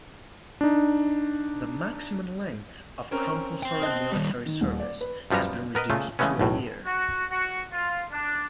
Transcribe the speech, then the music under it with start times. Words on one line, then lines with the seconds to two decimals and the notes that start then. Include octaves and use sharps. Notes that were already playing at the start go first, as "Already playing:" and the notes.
The maximum length of compulsory military service has been reduced to a year.
0.61 D4 D#4
3.11 C4 C#4 A#4
3.63 C5 G5
3.82 D#5 A5 F#6
4.12 D#3 G3
4.46 D#3
4.61 D#1
4.80 D5
5.01 B4
5.30 F#2 F3 G3 B3 A#5
5.75 B3 A#4 B4 D#5
5.90 A#2 C#3 A3 F4
6.19 C#3 E3 G#3 A3 B3 C#4
6.39 B1 E2 A2
6.86 F#4
7.31 F#4
7.72 F4
8.12 D4